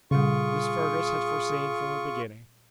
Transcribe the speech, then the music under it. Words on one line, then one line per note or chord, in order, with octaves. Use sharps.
This Fergus had foreseen from the beginning.
A#2 C#3 G3 F4 G#4 C#6